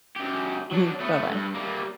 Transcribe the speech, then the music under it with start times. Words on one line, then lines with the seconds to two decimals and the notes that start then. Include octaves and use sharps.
Mhm. Bye-bye.
0.17 F#2 G4
0.71 F#3 D4
1.00 A3 B3
1.31 G2
1.55 G3 A#3